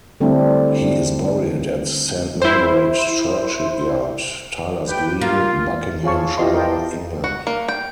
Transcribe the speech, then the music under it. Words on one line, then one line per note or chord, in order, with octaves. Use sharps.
He is buried at Saint Margaret Churchyard, Tylers Green, Buckinghamshire, England.
D3 G3 A3 C4 D4 E4
E4 C5
G4 B4 G5
A#3 F4
F4 G#4 C#5 F5 A5 C#6
E4 F4 G4 D#5 C6
A#4 D#5 G5 A5
F#4
A#3
G5